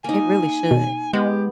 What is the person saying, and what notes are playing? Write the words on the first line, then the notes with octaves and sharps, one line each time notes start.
It really should.
A#3 D#4 G#5
B2
G#3 B3 G4